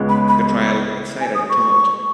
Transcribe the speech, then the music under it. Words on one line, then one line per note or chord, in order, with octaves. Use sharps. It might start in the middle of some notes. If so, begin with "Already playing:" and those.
The trial excited a tumult.
Already playing: C#2 C#3 G#3 B3
B5
B5
G#5
D#6
C#6